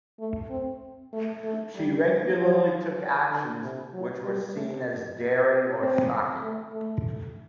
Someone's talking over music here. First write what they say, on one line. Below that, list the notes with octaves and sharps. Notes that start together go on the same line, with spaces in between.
She regularly took actions which were seen as daring or shocking.
A3
C4
A3
A3
G3
F#3
D3
C3
F#3
G3
A3
C4
A3
A3